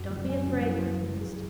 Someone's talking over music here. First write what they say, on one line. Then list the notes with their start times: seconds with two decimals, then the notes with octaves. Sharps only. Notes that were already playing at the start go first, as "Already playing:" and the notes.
Don't be afraid, my dearest.
Already playing: F#2 F#4
0.10 F#3
0.29 C#4
0.47 F#3
0.66 E4
0.84 B4
1.03 F#3
1.21 G#4